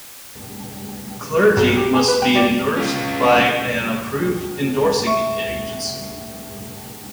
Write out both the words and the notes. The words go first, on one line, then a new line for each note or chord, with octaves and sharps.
Clergy must be endorsed by an approved endorsing agency.
B1
G4
G#4
B4
G5
D5
C#4 F4
E5 C#6